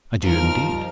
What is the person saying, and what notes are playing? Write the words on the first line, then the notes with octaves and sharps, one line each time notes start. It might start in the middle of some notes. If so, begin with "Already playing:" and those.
"I do, indeed."
F#1 F3 G3 D#4 F4 A#4 F6